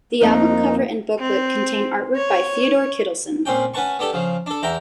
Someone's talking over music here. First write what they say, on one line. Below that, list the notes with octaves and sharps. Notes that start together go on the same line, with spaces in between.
The album cover and booklet contain artwork by Theodor Kittelsen.
F2 A#3 D#4
C4
C#5
A#2 C4 C#4 G5
C#4 B4 F#5 A5 C#6
B3 D4 G4 A4
C#3 F3
D4 A4
E2 E4 G5 A#5